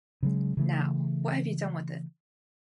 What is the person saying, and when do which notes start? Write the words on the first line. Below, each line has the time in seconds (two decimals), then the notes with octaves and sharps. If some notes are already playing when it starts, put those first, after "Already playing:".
Now, what have you done with it?
0.23 C#3 F#3 G#3
0.57 C#3 E3 A3